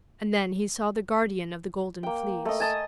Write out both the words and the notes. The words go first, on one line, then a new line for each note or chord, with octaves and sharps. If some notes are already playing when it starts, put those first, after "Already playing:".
And then he saw the guardian of the Golden Fleece.
A#3 G5
A3 D#5
G#5 A5 D#6